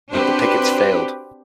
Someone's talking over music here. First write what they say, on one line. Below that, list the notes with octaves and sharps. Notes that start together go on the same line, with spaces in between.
The pickets failed.
C4 D4 F#4 G4 B4 C5